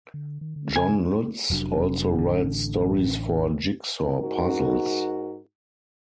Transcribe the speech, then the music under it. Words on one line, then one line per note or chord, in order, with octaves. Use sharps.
John Lutz also writes stories for jigsaw puzzles.
D3
D#3
D3
C#3 G#5
F1 F#3 C#4 D4
A1 D3
G#2 D#4 F#4 A#4